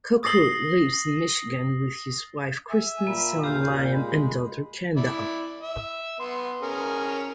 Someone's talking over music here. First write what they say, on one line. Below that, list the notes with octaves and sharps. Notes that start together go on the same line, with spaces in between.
Kocur lives in Michigan with his wife Kristen, son Liam, and daughter Kendall.
D#6 A6 A#6 C7 F#7 G7
E5 G#5
A#2 A#3 B5
D#2 G4 F5 G6
G#3 B5
E4 D5
E5
B3 C6
C#4 G#4 A#4